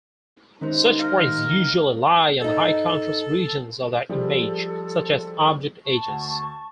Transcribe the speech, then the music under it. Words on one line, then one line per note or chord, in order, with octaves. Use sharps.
Such points usually lie on high-contrast regions of the image, such as object edges.
C3 D#3 G#3 C#4 D#4 A#4 C5
A#4 F5
G#2 D#4 A4
F3 G3 G#3 A4
A5 C#6
D2